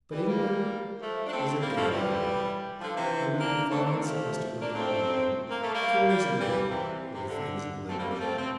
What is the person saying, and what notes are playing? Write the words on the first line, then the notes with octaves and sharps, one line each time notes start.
But England is a Gallio, and in defiance of Mr. Le Gallienne, cares little for the things of literature.
E3 G3
G3 A#3
F3 A3
D4
A3 C4
G3 A#3
F3 A3
E3 G3
D3 F3
C3 E3
A#3 D4
A3 C4
A3 C4
F3 A3
A#3 D4
A3 C4
A#3
A3
G3 A#3
G3 A#3
E3 G3
C3 E3
C3
D3
A3 C4
G3 A#3
G3 A#3
A3 C4
C4